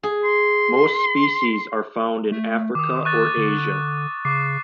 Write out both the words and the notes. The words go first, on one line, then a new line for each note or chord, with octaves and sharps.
Most species are found in Africa or Asia.
G#4
C6
A3
D#3 D6 D#6
C#6 F#6 A6
D3
C#3 D6 C7